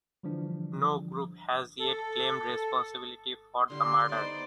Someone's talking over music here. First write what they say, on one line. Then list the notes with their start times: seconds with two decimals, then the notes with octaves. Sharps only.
No group has yet claimed responsibility for the murder.
0.23 D3 E3 F3 G3 D4
1.80 A4
3.70 D3 G3 C6
4.09 B3 D#4 C5 D5